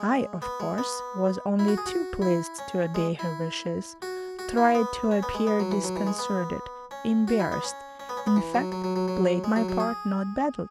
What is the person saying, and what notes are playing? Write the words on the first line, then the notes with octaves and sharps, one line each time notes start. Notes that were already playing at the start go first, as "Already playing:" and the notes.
I, of course, was only too pleased to obey her wishes, tried to appear disconcerted, embarrassed, in fact played my part not badly.
Already playing: G#3
B3
G#3
B3
E4
F#4
G#4
F#4
E4
C#4
G#3
E4
F#4
F#4
E4
B3
C#4
B3
G#3
B3
F#3
E3
F#3
E3
G#3
B3
C#4
F#4
E4
B3
C#4
C#4
B3
C#4
B3
E3
F#3
F#3
F#3
F#3
F#3
G#3
F#3
F#3
G#4